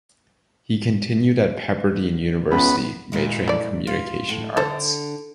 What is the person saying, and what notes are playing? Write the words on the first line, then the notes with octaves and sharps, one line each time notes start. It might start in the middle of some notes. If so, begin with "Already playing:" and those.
He continued at Pepperdine University, majoring in Communication Arts.
C#2 B3
A#2 G#3 E4
A3 D5
F4
A2
D3 A4 C5